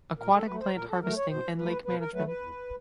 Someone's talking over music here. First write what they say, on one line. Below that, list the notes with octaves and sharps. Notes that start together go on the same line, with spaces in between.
Aquatic Plant Harvesting and Lake Management.
A#2 A#4
A4
F#3 A3 B4
C5
A#2 A#4
A4
F#3 A3 A#4
C#5
B2 C5
F#3 A3 B4
B2 B4
A#4
F#3 A3 B4
B4
E2